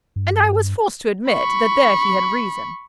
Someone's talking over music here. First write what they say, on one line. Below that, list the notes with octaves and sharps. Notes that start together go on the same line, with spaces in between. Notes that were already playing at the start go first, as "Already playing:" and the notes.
And I was forced to admit that there he had reason.
G2
B5 C#6